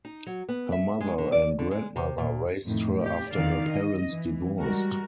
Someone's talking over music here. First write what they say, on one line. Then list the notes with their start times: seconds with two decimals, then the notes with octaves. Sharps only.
Her mother and grandmother raised her after her parents divorced.
0.05 D#4
0.27 F#3
0.49 B3
0.72 E5
1.01 G#3
1.18 D3
1.32 D5
1.59 D3
1.71 G#3
1.96 C3
2.18 A#2
2.64 F2 A2 D#3
3.02 G4
3.32 D3 D#3 D5 F5
3.69 D#5
4.09 E3
4.58 G3 G#3 F#4 A#4